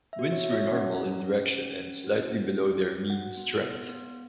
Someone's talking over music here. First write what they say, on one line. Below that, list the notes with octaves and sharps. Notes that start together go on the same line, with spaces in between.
Winds were normal in direction and slightly below their mean strength.
E5
F#4
C#5
F#4 E5
C#5
C#4 F#5
C#4
C#4
C#4
C#4
F#4
C#4
C#4
F#4
F#4 F#5
B3
B3
B3